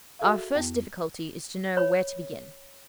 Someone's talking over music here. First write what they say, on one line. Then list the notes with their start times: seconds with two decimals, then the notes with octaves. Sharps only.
Our first difficulty is to know where to begin.
0.19 F#4 G#4 A4 E5 F5
0.55 F2 B3
1.77 C#5 B5